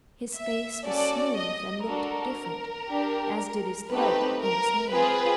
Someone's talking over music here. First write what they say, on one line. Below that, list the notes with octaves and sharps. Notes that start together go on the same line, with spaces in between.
His face was smooth and looked different, as did his throat and his hands.
E5
C#4 F#4 A4 D5
D#5
D4 F#4 A4 A#4
D4 G4
A3 C4 D#4 G4 B4
A#4
C4 F4 G#4 B4